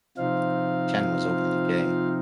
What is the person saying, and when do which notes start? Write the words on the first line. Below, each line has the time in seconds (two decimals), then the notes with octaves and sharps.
Chen was openly gay.
0.17 C3 F3 C4 D#4 F4 F5